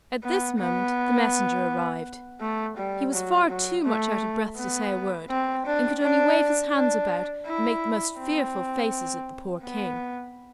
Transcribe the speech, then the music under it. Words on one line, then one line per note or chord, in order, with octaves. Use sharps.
At this moment the Messenger arrived: he was far too much out of breath to say a word, and could only wave his hands about, and make the most fearful faces at the poor King.
B3
B3
A3
G3
F#3
F#3
A3
B3
C4
D4
D4
D4
E4
C4
B3